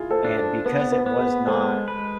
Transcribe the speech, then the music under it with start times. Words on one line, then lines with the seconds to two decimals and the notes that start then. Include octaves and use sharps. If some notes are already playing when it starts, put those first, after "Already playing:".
And because it was not
Already playing: E4 F4 G#4
0.11 A4 C5
0.25 D4
0.38 A4 C5
0.65 B3 B4
0.79 C5
0.92 B4
1.05 B3 C5
1.18 G#4 B4
1.47 G#3 A4 C5
1.88 B4